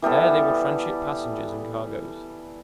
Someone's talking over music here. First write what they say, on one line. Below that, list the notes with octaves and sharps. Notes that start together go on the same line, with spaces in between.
There they will tranship passengers and cargoes.
E3 G3 B3 A4